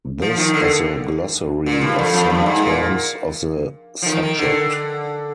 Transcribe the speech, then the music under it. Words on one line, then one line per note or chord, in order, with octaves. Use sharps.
This is a glossary of some terms of the subject.
F3
D#3
D3
A#2
G2
F2
F2
G2
G#2
A#2
F3
D#3
D#3
D3